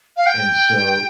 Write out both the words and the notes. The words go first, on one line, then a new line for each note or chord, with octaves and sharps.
and so
F5
G5